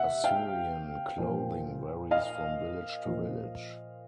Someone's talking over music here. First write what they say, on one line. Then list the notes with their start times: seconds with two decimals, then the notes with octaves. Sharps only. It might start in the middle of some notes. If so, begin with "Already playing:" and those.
Assyrian clothing varies from village to village.
Already playing: C3 E5 F#5
0.24 F5 G5
1.18 A#2 F3
2.11 D#5 F5
3.05 A#2 F3